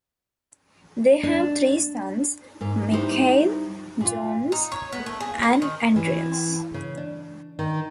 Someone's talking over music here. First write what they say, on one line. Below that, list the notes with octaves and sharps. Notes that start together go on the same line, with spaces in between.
They have three sons, Mikael, Jonas and Andreas.
D4
G#2 A#3
G3 D#4 E4 G4 A4 C5
A#2 F4
D#4
C#5
B3
A3
G#4
C#4
D#3
E3
C#3
D4
D#3